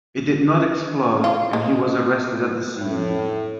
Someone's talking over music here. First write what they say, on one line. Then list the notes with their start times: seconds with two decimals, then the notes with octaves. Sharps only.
It did not explode and he was arrested at the scene.
1.24 F4
1.53 G#3
2.78 A2